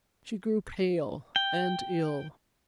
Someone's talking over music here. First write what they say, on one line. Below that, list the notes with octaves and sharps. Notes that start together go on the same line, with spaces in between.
She grew pale and ill.
G5